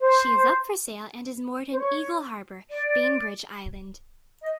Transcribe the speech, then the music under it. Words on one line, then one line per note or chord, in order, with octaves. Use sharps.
She is up for sale and is moored in Eagle Harbor, Bainbridge Island.
C5
C5
C#5
D5
D#5